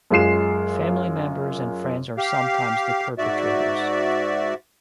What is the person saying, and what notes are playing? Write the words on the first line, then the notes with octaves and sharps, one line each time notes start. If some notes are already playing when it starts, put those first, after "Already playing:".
Family members and friends are sometimes the perpetrators.
F#2 G#3 F4 C7 E7
G4 F5
G#2 F#4 D5 E5